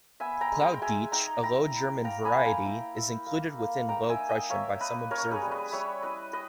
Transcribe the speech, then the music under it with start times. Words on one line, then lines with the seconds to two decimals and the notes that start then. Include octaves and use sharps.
Plautdietsch, a Low German variety, is included within Low Prussian by some observers.
0.20 B3 E5 G#5
0.41 G5 A#5
0.52 G#3
0.61 G5 A#5
0.81 G#3 E5 G#5
1.12 D#4 G5 A#5
1.43 E4 G5 A#5
1.73 E4
2.04 A#3 G5 A#5
2.25 G#5 B5
2.35 A#3
2.45 G5 A#5
2.65 E4
2.96 E4
3.27 A#3
3.58 A#3
3.89 D#4 G5 A#5
4.09 E5 G#5
4.19 D#4
4.29 D#5 G5
4.50 A#3 C#5 E5
4.80 A#3 B4 D#5
5.10 C#4 A#4 C#5
5.31 G#4 B4
5.42 G3
5.51 B4 D#5
5.72 G3 C#5 E5
6.02 E4 B4 D#5
6.33 B4 D#5